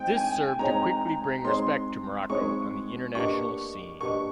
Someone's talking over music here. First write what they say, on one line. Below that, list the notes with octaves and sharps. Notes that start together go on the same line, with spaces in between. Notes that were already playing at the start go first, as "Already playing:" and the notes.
This served to quickly bring respect to Morocco on the international scene.
Already playing: G#3 C4 D#4 G#4 G5
G#5
G#3 C4 D#4 G#4 C#5 A#5
G#3 C4 D#4 G#4 C#5 C6
G#3 C4 D#4 G#4 C#5 C#6
A#3 D4 G4 B4 D#5 C#6
A#3 D4 G4 B4 D#5 C#6